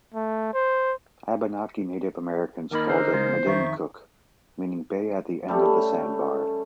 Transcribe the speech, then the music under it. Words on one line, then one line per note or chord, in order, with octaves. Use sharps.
Abenaki Native Americans called it Meduncook, meaning bay at the end of the sandbar.
A3
C5
D#2 A#3 D#4 A#4 B5 F6
D3 C5
C#3 G#3
F2 D#3 E5 C#6
G3 A3 C#4 A4